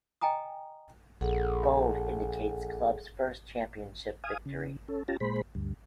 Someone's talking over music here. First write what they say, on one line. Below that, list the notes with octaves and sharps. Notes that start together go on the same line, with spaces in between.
Bold indicates club's first championship victory.
D#5 G5 G#5 A#5 D#6
A#1 G#4 A4 F#5
F5 G#5 D#6
C#3
C#4 A4
C#4 F4 G4 A5 A#5
A#2 G#3 C5 B5
D2 G2